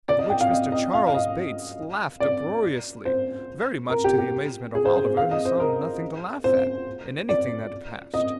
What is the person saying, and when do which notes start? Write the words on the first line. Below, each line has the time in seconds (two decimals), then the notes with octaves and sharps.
At which Mr. Charles Bates laughed uproariously; very much to the amazement of Oliver, who saw nothing to laugh at, in anything that had passed.
0.09 D5
0.19 D#5
0.30 G5
0.41 F5
0.51 D#5
0.72 D#5
0.93 F5
1.08 F5
1.14 D#5
2.20 D5
3.05 C5
3.90 A#4
4.04 G4
4.18 G4
4.75 G#4
4.85 C5
4.96 C5
5.17 F5
5.31 D#5
5.45 C5
5.60 A#4
6.44 C5
7.29 D5
8.14 D#5